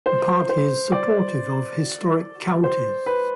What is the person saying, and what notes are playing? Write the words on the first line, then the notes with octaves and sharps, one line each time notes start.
The party is supportive of historic counties.
C5
C5
D5
C5
B4